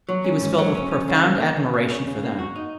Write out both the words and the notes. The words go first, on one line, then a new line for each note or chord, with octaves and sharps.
He was filled with profound admiration for them.
F#3
C#4
G#2
F#3
C#4
C#4
C#3
A#3
A#3
C#3
C#3
C#3
C#3
A#3
F#4
D#4